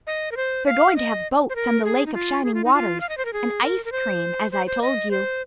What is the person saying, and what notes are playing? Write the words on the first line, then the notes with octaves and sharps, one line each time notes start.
They're going to have boats on the Lake of Shining Waters--and ice cream, as I told you.
D#5
A#4
C5
F5
D#5
C5
A#4
G#4
D#4
F4
G#4
F4
D#4
F4
F5
D#5
C5
A#4
G#4
A#4
A#4
C5
C5
C5
D#5
C5